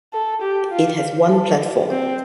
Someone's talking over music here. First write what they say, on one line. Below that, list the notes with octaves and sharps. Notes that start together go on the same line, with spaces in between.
It has One platform.
A4
G4
F4
A4
C4